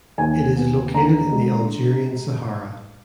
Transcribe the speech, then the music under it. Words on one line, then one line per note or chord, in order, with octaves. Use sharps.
It is located in the Algerian Sahara.
D#2 G#5
B3
D3 A#5
G#3